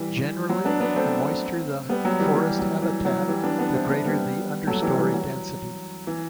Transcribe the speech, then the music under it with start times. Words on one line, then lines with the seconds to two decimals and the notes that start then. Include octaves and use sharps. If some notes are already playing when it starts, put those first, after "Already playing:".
Generally the moister the forest habitat the greater the understory density.
Already playing: E3 G3
0.49 F#3
0.65 B3 D4
0.81 B3 D4
0.96 A3 C4
1.89 G3 B3
2.05 F#3
2.20 E3 G3
2.35 E3 G3
2.58 F#3
2.82 E3
3.05 F#3
3.28 E3 G3
3.43 B3 D4
3.59 B3 D4
3.75 C4 E4
3.90 B3 D4
4.05 G3 B3
4.67 F#3 A3
4.82 E3 G3
4.99 E3 G3
5.14 F#3
6.07 E3